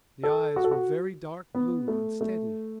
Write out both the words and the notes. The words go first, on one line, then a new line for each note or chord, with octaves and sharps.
The eyes were very dark blue and steady.
A4
F#4
A4
F#4
B3
A3
A3